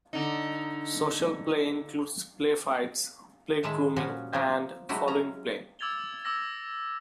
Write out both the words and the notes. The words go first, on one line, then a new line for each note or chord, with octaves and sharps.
Social play includes play fights, play grooming, and following-play.
D3 D#4
A2 D#3 G#3 E5 A5
A#2 F3 G3 C#4 F#4
F3 A#3 C4
F#3 G#3 A3 E4 F#4 G4
C#4 A#5
D6 E6 G#6 A6 F7 G7
D6 E6 A#6